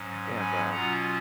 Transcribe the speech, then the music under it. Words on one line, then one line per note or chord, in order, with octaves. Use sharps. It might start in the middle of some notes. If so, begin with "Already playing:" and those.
And, um,
Already playing: G#2 F#3 C#4
G#5 B5
B2 F#3 C#4 F4 F#5 A#5